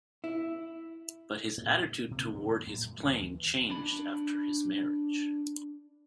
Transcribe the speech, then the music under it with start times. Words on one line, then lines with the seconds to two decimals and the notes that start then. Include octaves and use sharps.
But his attitude toward his playing changed after his marriage.
0.24 E4
1.57 A#2
2.11 C3 A#3
2.34 G2 A#2 D#3 F3
2.67 G2 A#2 F#3 A3
3.03 D#2 E3
3.70 D4 B5